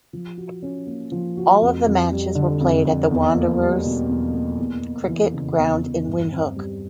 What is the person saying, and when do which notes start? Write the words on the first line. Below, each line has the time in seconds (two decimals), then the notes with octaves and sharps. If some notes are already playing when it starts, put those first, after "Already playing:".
All of the matches were played at the Wanderers Cricket Ground in Windhoek.
0.13 F3
0.38 F#4
0.63 C#4
0.87 A#3
1.12 F3
1.37 F#4
1.61 F2
1.87 F2
2.12 G3
2.35 D3
2.60 F2
2.85 F2
3.11 E2
3.35 A#3
3.60 G3
3.85 B2
4.09 E2
4.34 A#3
4.59 E2
4.84 E2
5.08 E3
5.33 C#3
5.57 E2
5.82 E2
6.07 G2
6.32 C4
6.56 G3